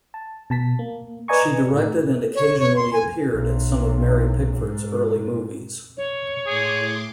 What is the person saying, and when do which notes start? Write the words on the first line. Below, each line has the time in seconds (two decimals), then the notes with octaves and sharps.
She directed and occasionally appeared in some of Mary Pickford's early movies.
0.14 A5
0.50 B2 A5 B6
0.79 A#3
1.28 B4 D5 D#5 G#5 A#5 C#6
1.73 A2 D#4
2.35 C#5
2.59 C#5
2.76 C6
2.93 G#5
3.33 B1
4.57 G#2
5.97 C#5
6.47 A2 G#4 C6 D6